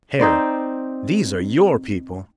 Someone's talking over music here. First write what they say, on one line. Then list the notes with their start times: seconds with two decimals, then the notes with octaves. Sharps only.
"Harry, these are your people."
0.19 C4 D#4 C5 D5